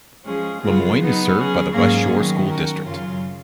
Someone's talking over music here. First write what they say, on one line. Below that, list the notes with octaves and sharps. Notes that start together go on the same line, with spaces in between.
Lemoyne is served by the West Shore School District.
F3 G#3 C#4 G#4
C#3 F#3 B3 F4 G#4
F#3 B3 D#4
F#3 C#4 G#4
G#2 F#3 A#3 C#4 G#4
D#3 F#3 B3
F#3 C#4 F#4 A#4
F#2 C#3 F#3 C#4 F4